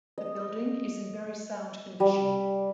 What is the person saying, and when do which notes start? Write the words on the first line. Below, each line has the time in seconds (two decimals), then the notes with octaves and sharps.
The building is in very sound condition.
0.18 D#5
2.00 G3